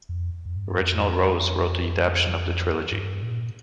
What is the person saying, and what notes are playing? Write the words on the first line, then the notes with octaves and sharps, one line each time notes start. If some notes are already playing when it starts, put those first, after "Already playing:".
Reginald Rose wrote the adaptation of the trilogy.
F2
F2
G2
F2
G2
A#2